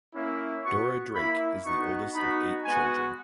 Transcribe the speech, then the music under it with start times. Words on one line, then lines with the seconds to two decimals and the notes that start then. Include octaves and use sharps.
Dora Drake is the oldest of eight children.
0.14 A#3 C#4 E4
0.64 B3 F#4 C#6
1.14 A#3 E4 B5
1.64 B3 D#4 F#4 C#6
2.15 B3 D#4 F#4 B5
2.65 G#3 B3 F#4 G#5